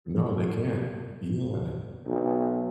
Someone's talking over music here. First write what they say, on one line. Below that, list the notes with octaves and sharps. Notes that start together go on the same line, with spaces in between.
No, they can't. Yeah.
B1